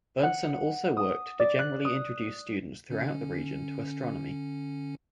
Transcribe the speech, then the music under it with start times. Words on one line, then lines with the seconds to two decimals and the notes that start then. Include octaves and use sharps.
Bernson also worked to generally introduce students throughout the region to astronomy.
0.23 F#5
0.97 D#6
1.40 D5
1.59 F#6
1.85 D#6
2.90 D3 C#4